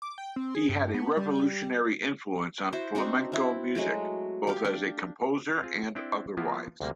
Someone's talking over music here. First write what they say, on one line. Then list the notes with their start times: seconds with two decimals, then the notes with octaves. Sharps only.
He had a revolutionary influence on flamenco music both as a composer and otherwise.
0.02 D6
0.18 G5
0.36 C4
0.55 G#4
0.69 G2
0.94 B3
1.17 G3
2.73 E4 F#4 C5
2.95 C4 D4 D#4 F#4
3.32 C4 E4
3.75 F#3 G#3 A3 F#4
4.47 G4 F5
4.65 D4
5.62 C4 F4 G#4
5.95 C4 D4 E4 D5 G5
6.37 F3 A#3 B3 E4 F4 A#4
6.80 D2 C3 G3 A#3